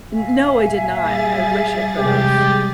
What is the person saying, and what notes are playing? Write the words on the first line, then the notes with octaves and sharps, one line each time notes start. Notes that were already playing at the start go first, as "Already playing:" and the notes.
N no, I did not, I wish I could have.
A#2 E5 F5 G#5
G3 G#4 A6
E2 C3 G#3 G4